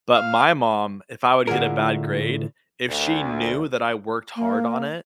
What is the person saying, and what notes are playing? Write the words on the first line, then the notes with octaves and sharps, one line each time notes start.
But my mom, if I would get a bad grade if she knew that I worked hard on it,
F5
A2 D3 A3 F4 G#4 A#4
D2
A#3